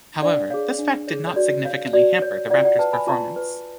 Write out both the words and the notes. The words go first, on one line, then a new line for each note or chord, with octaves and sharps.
However, this fact did not significantly hamper the Raptor's performance.
D4 D5 F#5
G#4 C#5 F5
D4
G#4 C#5
C#5
F#4 D5
C#5 F5
F#4 D5
C#5
F4 D5 F#5
D5 F#5
B4 F#5 A5
G#5 B5
F4 A5 C#6
B4